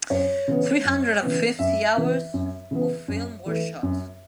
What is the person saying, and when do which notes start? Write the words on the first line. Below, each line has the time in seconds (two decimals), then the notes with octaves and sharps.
Three hundred and fifty hours of film were shot.
0.10 F#2 C#5
0.48 C#3 E3 B3
0.85 F#2
1.22 C#3 E3 B3
1.59 F#2 E5
1.97 C#3 E3 B3
2.34 F#2
2.71 C#3 E3 B3
3.08 F#2
3.46 E3 A3
3.83 F#2